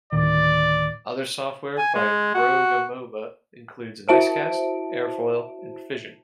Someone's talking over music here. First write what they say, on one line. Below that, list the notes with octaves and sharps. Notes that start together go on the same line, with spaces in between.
Other software by Rogue Amoeba includes Nicecast, Airfoil, and Fission.
D2 A2 D#3 D5
G#5
G#3
F#4
E4 F#4 C5 E5 A5 D7